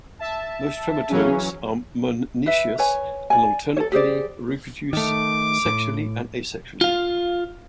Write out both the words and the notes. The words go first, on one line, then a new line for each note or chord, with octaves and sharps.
Most trematodes are monoecious and alternately reproduce sexually and asexually.
E5 A5
C#3 E3 F#3 C#4
B4 E5
B4 C#5 G#5
D5 G#5
A4 C#5
G4 G#4 C5 D5
D#3 A3 D6
A2
F4 F5